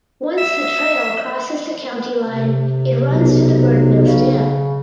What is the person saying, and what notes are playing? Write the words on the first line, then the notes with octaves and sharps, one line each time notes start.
Once the trail crosses the county line it runs to the Burnt Mills Dam.
E5
C3
B1
C#3